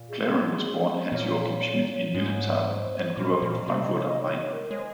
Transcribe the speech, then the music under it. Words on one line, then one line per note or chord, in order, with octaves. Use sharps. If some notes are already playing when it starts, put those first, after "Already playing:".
Clarin was born Hans-Joachim Schmid in Wilhelmshaven, and grew up in Frankfurt am Main.
Already playing: A#2
G#4
A#2 C#5
G#2 C#5
C5
A#2 C5
A#2
C3 C5
D#5
C#5
D#5
C#5
C#5
A#4
G#3 C#5
C5